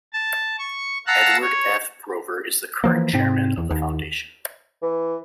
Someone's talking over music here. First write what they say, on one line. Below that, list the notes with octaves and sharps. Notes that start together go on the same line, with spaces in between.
Edward F. Rover is the current chairman of the Foundation.
A5
C#6
F5 F#5 A5 A#5 E6 F#6
C#5
E3 F3 A#3
G#2 C3 C4
E2
D#2
E3